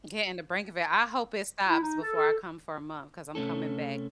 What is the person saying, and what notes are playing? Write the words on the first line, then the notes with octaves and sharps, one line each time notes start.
Getting the brink of it, I hope it stops before I come for a month, 'cause I'm coming back
E4
D#4
A4
A4
C3 A3 C#4 A4